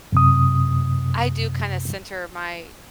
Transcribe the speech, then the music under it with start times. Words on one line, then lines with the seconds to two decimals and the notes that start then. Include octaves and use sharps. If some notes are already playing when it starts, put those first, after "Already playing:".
I do kinda center my
0.12 F#2 C3 D#6